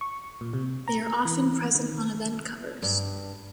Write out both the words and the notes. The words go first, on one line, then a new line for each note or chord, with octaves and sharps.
They are often present on event covers.
C#6
A#2
C3
A#5
E3
D#3
G2